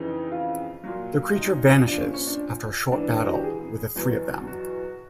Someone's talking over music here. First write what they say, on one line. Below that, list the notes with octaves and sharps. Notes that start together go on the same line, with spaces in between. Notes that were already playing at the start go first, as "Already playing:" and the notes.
The creature vanishes after a short battle with the three of them.
Already playing: F2 C#3 E3 D#4
F4
A#2 F#3
D#4
A#2 F3 D4
C#4
C#4
D4
G#2 E3 D4
F#4
G4
G#4
E2 B2 F#3
F#4